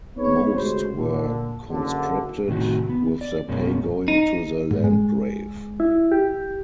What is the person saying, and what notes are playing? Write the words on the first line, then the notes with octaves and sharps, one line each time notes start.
Most were conscripted, with their pay going to the Landgrave.
B3 C4 D#4 G#4 B4 C#5
D2 C3 G#3 F#4 C5
A#2 D3
F#1 D3
A2 C3 D#3 F#4
B3
D5
F#2 B2 G#3 A#3 C#4
D#4
G#2
G#3
E4
G4